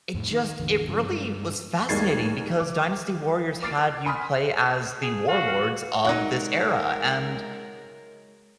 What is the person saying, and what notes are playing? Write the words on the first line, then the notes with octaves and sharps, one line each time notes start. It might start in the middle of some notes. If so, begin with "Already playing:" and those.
it just it really was fascinating because Dynasty Warriors had you play as the warlords of this era, and
F2 A2
D#3
A1 E2 D3
G2 C#3 F3
G2 G#3
D#2 G3 G#3 G#6 A6 C7
D6
D6 F6 A6 C7 D7
G#5 B5 C6 D#6 F6 B6
G#4
F#4 F5
F#3 G#3 D#4 A#4 F#5 F#6